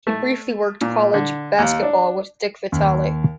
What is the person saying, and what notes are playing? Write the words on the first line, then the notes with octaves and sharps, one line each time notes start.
He briefly worked college basketball with Dick Vitale.
A3
A#2
D3
D#2
D4
D#2